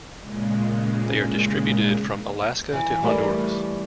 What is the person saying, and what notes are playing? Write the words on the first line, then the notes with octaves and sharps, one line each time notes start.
They are distributed from Alaska to Honduras.
A#2 C#3 G#3
E3
E3 G3 A3 A#4